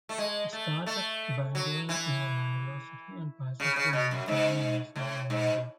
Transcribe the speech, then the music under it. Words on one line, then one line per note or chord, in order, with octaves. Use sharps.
It starts at Bantwal near Mangalore city and passes through Madikeri, Mysore and Mandya.
A3
G#3
A3
A3
F#3
E3
C#3
C#3
B2
F#2
G#2
A2
G#2